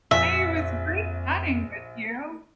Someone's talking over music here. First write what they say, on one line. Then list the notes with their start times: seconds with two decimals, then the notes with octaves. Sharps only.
Hey, it was great chatting with you.
0.11 A#1 F2 E5 G#5 B6